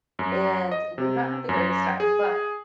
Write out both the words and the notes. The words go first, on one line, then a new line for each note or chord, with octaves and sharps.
and we've not had the greatest time, but
F#2
D#5
C3
F#2
G#4